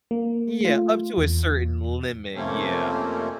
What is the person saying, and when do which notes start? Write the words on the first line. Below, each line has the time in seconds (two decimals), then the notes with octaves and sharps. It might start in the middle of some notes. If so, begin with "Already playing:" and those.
Yeah, up to a certain limit, yeah.
0.11 A#3
0.61 A3 F4
1.17 E2
2.33 F2 C3 A3 A#3 C4 C#4